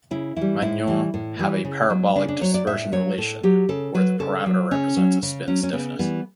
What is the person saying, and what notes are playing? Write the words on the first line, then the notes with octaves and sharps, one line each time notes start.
Magnons have a parabolic dispersion relation: where the parameter represents a spin stiffness.
C#3 E4
E3 G3 E4
A2 E4
E3 G3
A2
E3 G3
C#3
F#3
C#3 D4
D4
F#3 C#5
D5
A2 E5
F#3 C#5
A2 A4
F#3 G4
C#3 A4
F#3 B4
C#3 A4
F#3
C#3 C#4
F#3
C#3
F#3 C#4
C#4
C#3 B3
E3 G3 B3